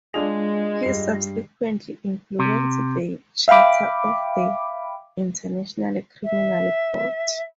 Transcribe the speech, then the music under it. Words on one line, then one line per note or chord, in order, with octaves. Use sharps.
He subsequently influenced the charter of the International Criminal Court.
G#3 D4 F4 G#4 D#5 F7
G2 C7
C3
E5 F5 G5 B5 D6
E5